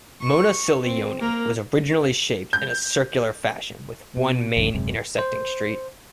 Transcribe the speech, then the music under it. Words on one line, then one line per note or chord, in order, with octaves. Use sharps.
Monacilioni was originally shaped in a circular fashion with one main intersecting street.
C#6
C4
A#3 A#4
G6
B2
G#1 F2 G#2 D3
D#1 F#2 C3 G#3
C5